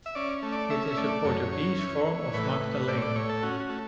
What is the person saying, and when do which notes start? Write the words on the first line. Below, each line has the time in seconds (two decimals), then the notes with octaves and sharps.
It is a Portuguese form of Magdalene.
0.06 E5
0.15 C#4 D5
0.43 A3
0.52 D5
0.70 C#4 E5
0.97 A3 D5
1.24 F#2 C#5
1.52 C#4
1.79 E3
2.07 E3
2.34 A2 B4
2.61 A2
2.88 A2 D5
2.97 C#5
3.02 D5
3.15 A2 C#5
3.29 A4
3.43 C#4 F#4
3.60 F#4
3.69 A3